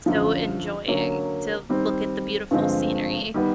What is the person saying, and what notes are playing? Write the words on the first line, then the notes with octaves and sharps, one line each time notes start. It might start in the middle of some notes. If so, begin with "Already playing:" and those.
so enjoying to look at the beautiful scenery,
F#2 D3 F3
D3 F#3 A#3 C#4
D#3 G3 C4
G2 D3 F3 G#3 C4
D#3 G3 B3